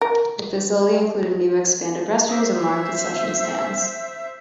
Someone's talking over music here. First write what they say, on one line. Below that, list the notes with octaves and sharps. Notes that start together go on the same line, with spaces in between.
The facility included new expanded restrooms and larger concession stands.
A#4
C5 E5